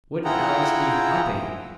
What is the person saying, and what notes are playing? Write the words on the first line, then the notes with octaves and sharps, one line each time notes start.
Wouldn't Alice be hopping!
E4 F4 G#4 F#5 G5 A#5